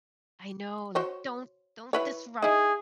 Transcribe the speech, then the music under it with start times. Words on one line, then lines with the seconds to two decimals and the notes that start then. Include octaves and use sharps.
I know, like, don't don't disrupt
0.95 F#4 C5 C#5
1.93 E4 B4 C#5
2.42 D#4 E4 G#4